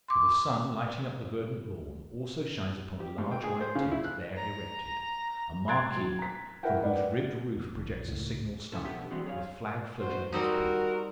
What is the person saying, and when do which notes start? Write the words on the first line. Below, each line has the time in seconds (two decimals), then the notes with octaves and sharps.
For the sun, lighting up the verdant lawn, also shines upon a large white tent there erected--a marquee--from whose ribbed roof projects a signal staff, with flag floating at its peak.
0.08 C6 D6
3.00 G4
3.18 G#2
3.31 G5
3.44 G#4
3.61 C5
3.75 C#3
3.92 E4
4.04 F#6
4.37 A#5
5.68 C6 F#6 G#6 A6 D7
5.96 F#3
6.19 A#5 B6
6.63 E4 A#4 E5 F#5 G5
6.82 B4 D5 F#5
7.57 F2
7.75 A#1 D3
8.08 C#2 A2
8.72 B1 F#2 F3 C#4 E4 A4
8.85 B2 D3 B3 G4 E5
9.11 E3 G3 G#3 C4 F#4
9.25 F#3 G#4 C#5 F5
9.99 A1 F#4 C5
10.32 G3 C4 D#4 F#4 A#4